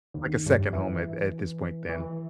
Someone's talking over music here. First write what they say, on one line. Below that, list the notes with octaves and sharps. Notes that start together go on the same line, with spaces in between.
Like a second home at at this point then.
D#2
G2
E3
E3